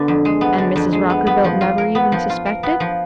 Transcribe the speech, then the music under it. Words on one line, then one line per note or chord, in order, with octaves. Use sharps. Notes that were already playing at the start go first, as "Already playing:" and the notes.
"And Mrs. Rockerbilt never even suspected?"
Already playing: D3 B3
F2
G#3
B3
D3
F2
G#3
B3
B3
F3
F4
A#4
B3
F3
F4
A#4
B3
F3